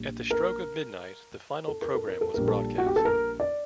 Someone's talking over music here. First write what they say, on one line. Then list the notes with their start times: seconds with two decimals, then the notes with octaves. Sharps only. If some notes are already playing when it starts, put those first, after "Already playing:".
At the stroke of midnight, the final program was broadcast.
Already playing: A#1 A#2 G3
0.31 A#4
1.68 A4
1.82 A#4
1.95 A4
2.07 A#4
2.21 A4
2.34 A#1 A#2 G3 A#4
2.48 A4
2.78 F#4
2.86 G4
2.96 A4
3.05 A#4
3.40 D5